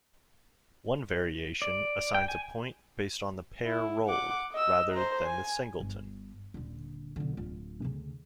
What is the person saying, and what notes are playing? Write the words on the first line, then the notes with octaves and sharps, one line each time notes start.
One variation assigns a point based on the pair rolled, rather than the singleton.
D5
G5
G#5
E4
F#5 D6
D#5 E6
C5 A#5
G#5
G1
D#1 D3
B1 D3
D1 F4
D2 C#3